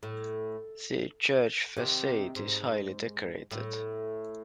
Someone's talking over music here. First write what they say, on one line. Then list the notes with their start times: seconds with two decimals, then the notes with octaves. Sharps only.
The church facade is highly decorated.
0.03 A2
1.76 C3 D#3
2.35 G#2
3.51 A2